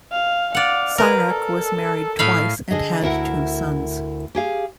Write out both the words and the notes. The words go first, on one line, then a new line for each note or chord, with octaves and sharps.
Sarek was married twice, and had two sons.
F5
D5 F5 F#5
A#4 B4
A4
A2 F5 B5
D3 G#4 D#5
D2 E4 A#4 F#5
G4 G#4 F5